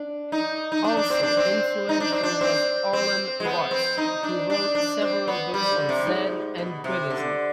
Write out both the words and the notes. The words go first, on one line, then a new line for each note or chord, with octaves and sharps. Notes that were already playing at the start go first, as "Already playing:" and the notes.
Also influential was Alan Watts, who wrote several books on Zen and Buddhism.
Already playing: D4
D#4
D#4
D4
D4
C4
D4
C4
D#4
D4
C4
D4
C4
C4
G#3
B3
C4
D#4
D4
D4
D4
C4
B3
G3
D3
C3
G#2
B2
C3
D3